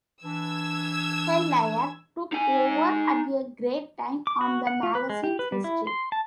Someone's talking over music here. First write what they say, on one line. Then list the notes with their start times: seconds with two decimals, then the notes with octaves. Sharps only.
Hellyer took over at a great time on the magazine's history.
0.24 E3 D4 E6 G#6
2.33 D#4 G#5
4.27 D6
4.41 F#4
4.67 F#5
4.83 F4
4.95 B4
5.10 G#3
5.24 G4
5.39 B4
5.52 G3
5.64 E4
5.87 C6
6.12 A5